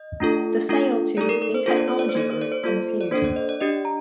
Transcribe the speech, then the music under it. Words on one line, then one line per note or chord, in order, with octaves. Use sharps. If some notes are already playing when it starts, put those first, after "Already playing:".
The sale to The Technology Group ensued.
Already playing: D#5
A3 D4 F4 A4
A3 D4 F4 A4
A3 D#4 A4 D5
A#4
A#4
C5
A#3 D4 F4 A4 C5
D5
C5
D5
C5
A#3 D#4 A4 D5
C5
D5
C5
A#3 F4 A4 C5
D5
A#3 D4 A4 C5
D5
D#5
D5
D4 G4 D#5
A#5